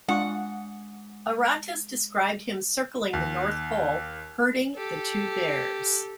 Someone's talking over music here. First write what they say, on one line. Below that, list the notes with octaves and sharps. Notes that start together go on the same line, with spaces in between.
Aratus described him circling the north pole, herding the two bears.
G#3 D4 F4 F#5 C#6
D#2
G4 A4